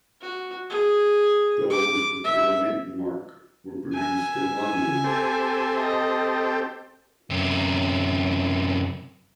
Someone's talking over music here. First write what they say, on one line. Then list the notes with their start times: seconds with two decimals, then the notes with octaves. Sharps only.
Those with no mint mark were produced in London.
0.21 F#4
0.70 G#4
1.70 D6
2.24 E5
3.94 E5 G#5
5.04 C4 G4 A4
5.79 D#5
7.30 F#2 C3